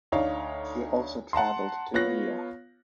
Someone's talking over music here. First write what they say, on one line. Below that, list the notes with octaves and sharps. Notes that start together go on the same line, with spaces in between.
She also traveled to India.
D2 D#4 C#5 D5 F5
F#5 A5 A#5 C6
B3 F4 C#5 F#6 A#6